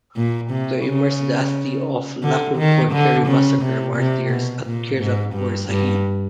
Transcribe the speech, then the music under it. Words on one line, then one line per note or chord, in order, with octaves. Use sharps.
To immerse the asthi of Lakhimpur Kheri massacre martyrs at Kiratpur Sahib.
A#2
C3
C#3
D3
D#3
D3
C#3
C3
C3
B2
A#2
G#2
G2
G2